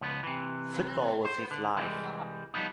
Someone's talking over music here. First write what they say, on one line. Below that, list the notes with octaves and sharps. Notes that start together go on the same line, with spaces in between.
Football was his life.
C#2 F3 B3
C3 E3
C5
D3
C2 E3 G3 G#3
F3 G3 B3 D#4